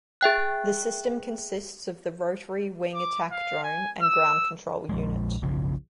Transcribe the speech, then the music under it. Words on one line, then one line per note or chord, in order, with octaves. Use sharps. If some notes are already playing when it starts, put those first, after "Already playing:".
The system consists of the rotary wing attack drone and ground control unit.
G#4 E5 G5 F#6
D6
F5
G#5
E6
A#1 F3 G#3
F#1 B1 C#3 F3